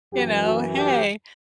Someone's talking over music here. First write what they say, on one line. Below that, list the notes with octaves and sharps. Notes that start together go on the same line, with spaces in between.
you know hey,
F#2 E3 G4
F#4
G4